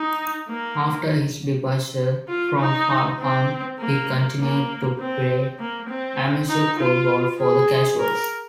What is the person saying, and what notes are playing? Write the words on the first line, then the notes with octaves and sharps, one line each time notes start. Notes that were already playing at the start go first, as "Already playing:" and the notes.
After his departure from Fulham, he continued to play amateur football for the Casuals.
Already playing: D#4
A#3
F4
D#4
C4
A#3
A#3
C4
A#3
C4
D#4
F4
G#4
A#4